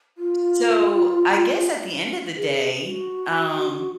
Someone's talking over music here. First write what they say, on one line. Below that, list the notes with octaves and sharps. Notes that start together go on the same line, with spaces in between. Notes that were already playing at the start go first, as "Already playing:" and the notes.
So, I guess at the end of the day, um,
F4
G#4
F#4